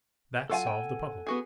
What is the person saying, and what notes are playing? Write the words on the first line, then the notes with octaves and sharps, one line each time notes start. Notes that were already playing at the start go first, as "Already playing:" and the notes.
That solved the problem!
F#3 F4 A4 F5 F#5 G#5
G5
B3 F#4 G#4